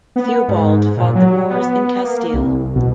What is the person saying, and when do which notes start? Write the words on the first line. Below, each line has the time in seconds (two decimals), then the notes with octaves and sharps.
Theobald fought the Moors in Castile.
0.16 B3
0.48 G#2
0.97 A#2
1.15 F#3
1.50 B3
2.04 A#3
2.34 C2
2.76 B2